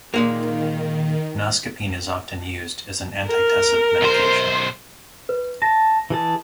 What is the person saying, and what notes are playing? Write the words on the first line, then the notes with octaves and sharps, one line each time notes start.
Noscapine is often used as an antitussive medication.
A#2 D#3 G#3 A#3
A#4
B1 C5
B4
A5 A#6
E3 G#4 A5